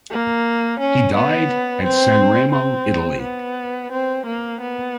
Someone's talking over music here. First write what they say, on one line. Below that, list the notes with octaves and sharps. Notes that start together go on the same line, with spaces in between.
He died at Sanremo, Italy.
A#3
C#4
B3
C4
C4
B3
C4
A#3
B3